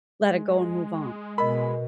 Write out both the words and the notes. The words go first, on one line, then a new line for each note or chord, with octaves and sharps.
let it go and move on?
G#3
B2 A#4 D#5 B5